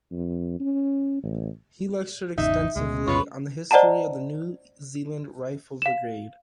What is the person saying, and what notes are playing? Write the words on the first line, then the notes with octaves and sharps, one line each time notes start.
He lectured extensively on the history of the New Zealand Rifle Brigade.
F2
C#4
A1
G#1 E2 C#3 D#4 E5
D2 B2 G#3
D2 G2 B2 F4 B4 C#5
C5 D5 D#5 F#5 A5 A#5
F5 E7